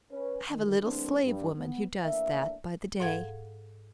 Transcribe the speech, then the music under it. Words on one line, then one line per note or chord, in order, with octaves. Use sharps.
I have a little slave woman who does that by the day.
C#4 B4
D3 D#3
E3 G3 A3 A#3 C4 D4
G2
B3
E3 A3 A#3 D4 E5
G#2 A4 F5 F#5 G#6